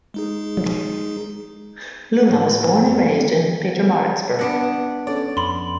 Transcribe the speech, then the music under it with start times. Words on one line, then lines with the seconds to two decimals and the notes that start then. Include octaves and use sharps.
Lunga was born and raised in Pietermaritzburg.
0.14 G#3 D#4 G#4
2.28 A2 F#3 G#3
2.86 F#2
4.39 B3 D4 F#5
5.07 C#4 A4 C#5 D5
5.37 F2 B5 C6